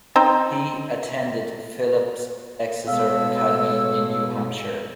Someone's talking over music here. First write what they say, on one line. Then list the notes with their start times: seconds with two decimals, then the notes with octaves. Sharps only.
He attended Phillips Exeter Academy in New Hampshire.
0.16 C4 D#4 C5
2.88 B2 G#3 A4 C#5 F5 E6